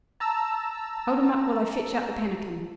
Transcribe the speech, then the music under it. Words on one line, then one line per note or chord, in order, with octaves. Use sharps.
'Hold him up while I fetch out the pannikin.
A5 A#5 E6